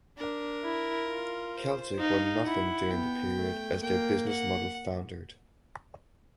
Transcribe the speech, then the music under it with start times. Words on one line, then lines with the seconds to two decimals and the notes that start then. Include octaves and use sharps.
Celtic won nothing during the period as their business model foundered.
0.18 D4 A#4
0.64 E4
1.09 F4
1.55 C5
1.99 D#4 F5
2.46 E4 F#5
2.90 B3 G5
3.37 A3
3.82 A#3 G5
4.28 F#5